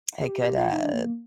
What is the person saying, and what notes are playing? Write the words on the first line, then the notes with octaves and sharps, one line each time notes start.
a good, uh,
G#4
G4
G4
F4
D#4
D4
A#3
A#3